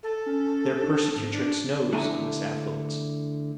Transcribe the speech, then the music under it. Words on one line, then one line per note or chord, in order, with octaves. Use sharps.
Their persecutrix knows of this affluence.
A4
C#4
D4
G#2
D4
D3 A3 E4 G#5 A#5